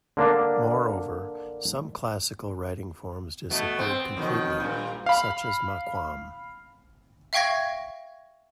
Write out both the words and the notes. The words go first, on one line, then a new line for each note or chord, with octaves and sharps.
Moreover, some classical writing forms disappeared completely, such as Maqam.
D3 A#3 D4
B2 A3
C4
F2 B2 D#3
G2 A#2
F5 B5
E5 F5 G5 C#6 G#6 A#6